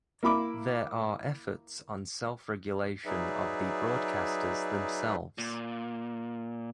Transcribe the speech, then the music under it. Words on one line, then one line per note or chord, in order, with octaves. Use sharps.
There are efforts on self-regulation of the broadcasters themselves.
A#3 E4 B5 D6
F#3 D#4 G#4 B4 D5 E5
A#2